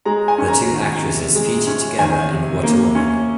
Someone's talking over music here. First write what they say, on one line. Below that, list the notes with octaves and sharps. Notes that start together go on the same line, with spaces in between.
The two actresses featured together in What a Woman!
G#3 A#5
G#5
C#4
A#5
D#3
C3
G#3
C#4
D#3 G#5
C3
A#3
C#4